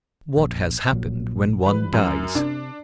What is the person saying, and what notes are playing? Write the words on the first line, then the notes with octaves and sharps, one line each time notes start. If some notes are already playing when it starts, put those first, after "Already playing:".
What has happened when one dies?
A#1
A#1 A#2 F#3
E3 F3 G3 B4
F#2
C3 D4